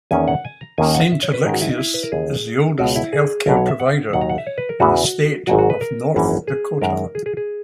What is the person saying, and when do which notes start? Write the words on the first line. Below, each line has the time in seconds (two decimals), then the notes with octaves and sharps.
Saint Alexius is the oldest healthcare provider in the state of North Dakota.
0.11 E2 D#3 A#3 C#4 G#5
0.28 F#5
0.45 G#5
0.61 A#5
0.78 D#2 D#3 A#3 C#4 G#5
0.95 F#5
1.12 E5
1.23 C#5
1.34 B4
1.45 G#2 D#3 G#3 C#4 A#4
1.53 F#4
1.61 E4
1.70 D#4
1.78 E4
1.94 B4
2.03 A#4
2.12 D#2 C#3 E3 G#4
2.78 C#2 B2 G#3 B3 F#4
2.96 E4
3.13 G#4
3.46 B1 B2 F#3 A#4
3.57 C#5
3.68 E5
3.80 F#5
4.13 D#2 D#3 F#3 F#5
4.21 A#5
4.29 F#5
4.38 E5
4.47 C#5
4.58 B4
4.69 A#4
4.80 E2 C#3 E3 B3 F#4
5.47 G#1 G#2 F#3 F#4
5.59 F#4
5.70 B4
5.81 A#4
6.14 G#1 F#2 E3 A#3 C#4
6.48 G#4
6.81 F#2 D#3 G#3 A#4
7.15 G#4
7.26 G#4
7.37 G#4